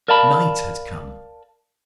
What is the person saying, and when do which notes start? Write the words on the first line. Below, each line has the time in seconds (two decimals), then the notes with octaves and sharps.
Night had come.
0.08 A#4 D5 F5 A5 B5